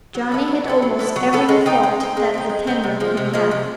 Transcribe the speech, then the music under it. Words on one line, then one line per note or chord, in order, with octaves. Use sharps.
Johnny had almost every fault that a tenor can have.
F#3
B3 E4 A4
F#3
B3 E4 A4
F#3
B3 E4 A4
F#3
B3 E4 A4
G#3
C4 D#4
G#3
C4 D#4
G#3
C4 D#4
G#3
C4 D#4
C3
F3 G#3
C3
F3 G#3
C3